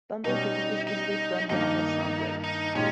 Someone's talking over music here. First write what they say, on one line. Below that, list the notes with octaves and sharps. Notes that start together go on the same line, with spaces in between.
Bumblebee is easily thrown down by Soundwave.
B2 G3 C#4 D#4
D#4
G2 D#3 A#3 D#4
D#4
A#2 G#3 C#4 D#4 G4